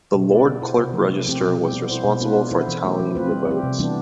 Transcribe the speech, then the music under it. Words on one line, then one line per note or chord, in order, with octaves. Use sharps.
The Lord Clerk Register was responsible for tallying the votes.
B2
B3 F4 B4 D5
B3
E4 G4 C5
C3
F3 A3
C3
F3 A3 C4 G4
B2
G3 C4 G4
B3
E4 A4 C5
B2
B3 D4 F4 B4
B3
E4 A4 C5
E3
A3 E4 G4
F3
A3 C4 F4 B4
G3
C4 G4
C3
E3 G3 B3 D4